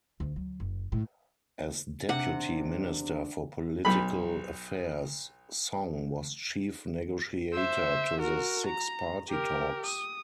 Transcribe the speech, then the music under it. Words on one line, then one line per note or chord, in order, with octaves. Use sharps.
As Deputy Minister for Political Affairs, Song was Chief Negotiator to the Six-Party Talks.
D2
F#3
F#1
A2
C3 D4 F#5
B1 B5
C5 E5
F#4 A#4
A#5
G4 A#4
D#6